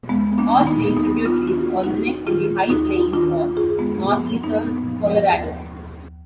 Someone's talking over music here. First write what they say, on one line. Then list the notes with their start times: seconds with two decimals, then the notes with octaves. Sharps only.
All three tributaries originate in the High Plains of northeastern Colorado.
0.09 D#2 G#3 B3
0.38 A#3 D4
0.53 D#3
0.67 B3 D#4
0.96 D#2 B3 D#4
1.25 D4 F4
1.40 D#3
1.47 F#4
1.54 D4 F4
1.83 D#2 D#4 F#4
2.26 D#3 F4 G#4
2.70 D#2 D#4 F#4
3.13 D#3 D4 F4
3.57 F#2 F4 G#4
3.79 G#3 B3
4.00 F3 A#3
4.43 F#2 B3 D#4
4.87 F3
5.31 D#2
5.75 D#2